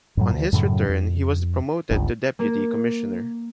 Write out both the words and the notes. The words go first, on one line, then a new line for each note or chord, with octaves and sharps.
On his return he was promoted to Deputy Commissioner.
F#2 A2 F#3
D2
F#2 A2 C#3 F#3
F2
G1 C#2
A#3